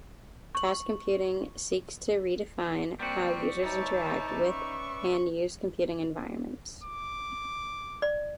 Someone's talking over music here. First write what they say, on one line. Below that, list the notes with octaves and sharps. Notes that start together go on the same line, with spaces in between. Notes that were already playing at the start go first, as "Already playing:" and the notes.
Task computing seeks to redefine how users interact with and use computing environments.
C#6 F#7
G3 A#3 C4 F#4 C5
D#4 B4 C#5 D5 E5 A5
C#4 C#6
D6
D5